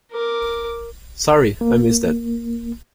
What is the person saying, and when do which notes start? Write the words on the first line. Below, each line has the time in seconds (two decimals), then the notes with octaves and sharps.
Sorry, I missed that.
0.12 A#4 D6
1.61 A#3